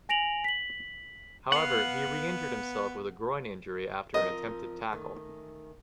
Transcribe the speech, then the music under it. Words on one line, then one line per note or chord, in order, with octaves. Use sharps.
However, he re-injured himself with a groin injury after an attempted tackle.
G#5 A#6 D7 F7 F#7
B6 F#7
B3 F5 F#5
F3 C4 A#4 D#5
D#3 A3 C#4